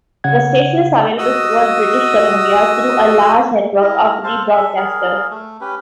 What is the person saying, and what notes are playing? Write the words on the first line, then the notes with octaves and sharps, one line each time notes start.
The station is available throughout British Columbia through a large network of rebroadcasters.
C#3 F#5 G#6
F#4 D#5 D#6 E6
E4 A#4 D#5
A4 C5 F5 A5
A4 E5
G#4 A#4
A3
C#4 G4 B4